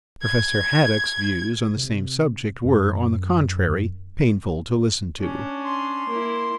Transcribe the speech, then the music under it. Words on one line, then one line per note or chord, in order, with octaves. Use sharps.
Professor Haddock's views on the same subject were, on the contrary, painful to listen to.
G#6
C3
F#2
C#4 D4
C6
A#3 E4